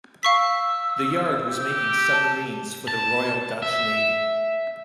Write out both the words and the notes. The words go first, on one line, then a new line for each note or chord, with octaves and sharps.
The yard was making submarines for the Royal Dutch Navy.
F5 C#6 E6 B6
G4
A5
A5
E5